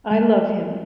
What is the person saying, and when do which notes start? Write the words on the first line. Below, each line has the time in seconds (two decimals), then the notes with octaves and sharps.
I love him.
0.11 G#3